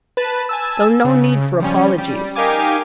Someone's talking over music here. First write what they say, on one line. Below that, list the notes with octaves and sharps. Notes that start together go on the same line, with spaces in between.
"So no need for apologies."
B4 A5
G#5 A5 E6
C#3
F3 G3 C#4
G3
D#4 G4 A#4 F5 G#5 D6